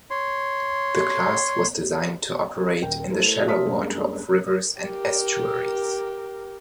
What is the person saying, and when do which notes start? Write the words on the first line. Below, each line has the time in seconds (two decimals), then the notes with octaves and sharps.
The class was designed to operate in the shallow water of rivers and estuaries.
0.10 C#5 C6
2.82 D#1 A#4 G5
3.10 A3 E4 A4 A#4 C5
3.47 E5 A5 C6 D#6 F6 B6
3.66 F#2 G3 G#3 A#3 D4
4.82 G4 A#4